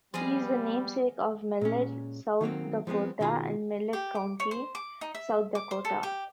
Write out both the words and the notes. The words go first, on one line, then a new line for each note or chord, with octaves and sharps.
He is the namesake of Mellette, South Dakota and Mellette County, South Dakota.
F3 G3 B3 G#4 D#5 F5
A#2 G#3 C#4
D#3 F#3 A#3 C4
F3 G3 G#3 B3 C4
B2 D#3 E4 F4 G#4 B5
G4
D6
C#5
C5
D6
D#4
E5
D6
C5
A4
G4